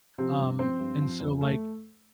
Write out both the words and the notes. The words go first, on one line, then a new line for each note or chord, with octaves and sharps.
Um, and so, like
C3 F3 C4
G2
F3 C4 C5
G2
F3
F2
A3 A4